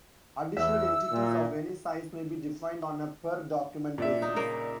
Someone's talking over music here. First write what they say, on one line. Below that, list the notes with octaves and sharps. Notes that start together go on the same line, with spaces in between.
Additional entities of any size may be defined on a per-document basis.
E2 E5 E6
A#2
A#2 D4 E5
D#4
C#3 A#3 A#4